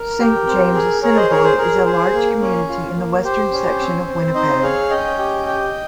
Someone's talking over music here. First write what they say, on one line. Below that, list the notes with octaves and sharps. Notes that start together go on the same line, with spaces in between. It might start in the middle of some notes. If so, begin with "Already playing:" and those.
Saint James-Assiniboia is a large community in the western section of Winnipeg.
Already playing: A#4
G4
C4
G#4
G#4 A#4 C#5
C5 D#5
G#4 A#4 C#5
C5
G#4 A#4
G#4 C5
A#3
C#4
F4
A#3
G4 C5
C#4
C4
C4
D#4 C5 D#5
G#4 C#5 F5
C#4 D#5 G5
G4
G4